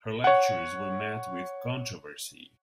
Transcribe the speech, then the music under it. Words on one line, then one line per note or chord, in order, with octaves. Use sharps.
Her lectures were met with controversy.
C#5 F#5